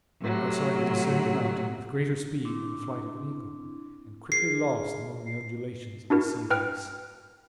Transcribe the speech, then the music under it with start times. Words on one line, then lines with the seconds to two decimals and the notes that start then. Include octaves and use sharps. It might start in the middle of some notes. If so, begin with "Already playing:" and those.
I saw him descend the mountain with greater speed than the flight of an eagle, and quickly lost among the undulations of the sea of ice.
0.22 A2 C3 F#3
2.45 C4 D4 E4
4.32 F4 G#4 A#4 C7
6.10 D4 E4 F#4 A#4
6.50 B4 G5 F6